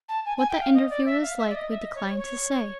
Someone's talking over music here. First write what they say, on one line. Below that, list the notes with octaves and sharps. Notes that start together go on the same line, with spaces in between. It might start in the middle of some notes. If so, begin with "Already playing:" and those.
What that interview was like we decline to say.
A5
G#5
G#5
G5
F5
D#5
D5
E5
F5
E5
D5
D#5
E5
D#5
C#5
C#5
C#5